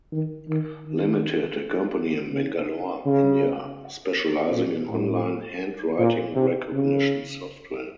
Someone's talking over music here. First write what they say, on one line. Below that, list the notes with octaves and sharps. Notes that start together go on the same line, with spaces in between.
Limited, a company in Bangalore, India specializing in online handwriting recognition software.
D#3
D#3
D#3
C#3
C#3
A#2
A2
A#2
C3
C#3